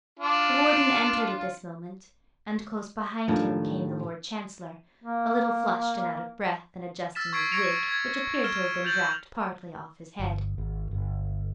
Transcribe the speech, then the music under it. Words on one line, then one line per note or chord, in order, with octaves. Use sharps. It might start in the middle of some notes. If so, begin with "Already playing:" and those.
The Warden entered at this moment: and close behind him came the Lord Chancellor, a little flushed and out of breath, and adjusting his wig, which appeared to have been dragged partly off his head.
D4 F4
D#2 A2 D#3 F3 A3 D4
A#3
E6 F6 A6 B6 E7
C#6 G#6 A6 B6 C7 D7
C#6 G#6 A#6 C#7 D7 F7
G#6 A6
F6 E7 G7
G6 A6 F7 F#7
G1
G#1
G1